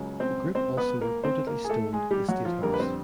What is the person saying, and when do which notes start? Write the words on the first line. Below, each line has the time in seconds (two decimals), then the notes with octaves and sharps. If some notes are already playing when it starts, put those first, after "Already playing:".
The group also reportedly stoned the State House.
Already playing: C#2 C#3 F#3
0.20 C4 C5
0.55 C4 C5
0.77 B3 B4
1.01 A#3 A#4
1.23 C4 C5
1.47 A#3 A#4
1.64 G#4
1.70 A3 A4
1.93 G#3 G#4
2.11 G3 G4
2.28 F#3 F#4
2.45 F3 F4
2.62 F2 D3 G3 A#3 A#4
2.74 B4
2.80 C4 C5